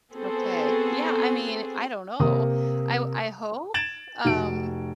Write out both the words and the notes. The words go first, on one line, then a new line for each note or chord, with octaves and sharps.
Okay. Yeah, I mean, I don't know. I w I hope? Um,
B3 C4 F#4 G#4 A4 C5
C3 A#3 A#4 D#6
G#6 A6 D7 E7 F#7
F1 F#4 D7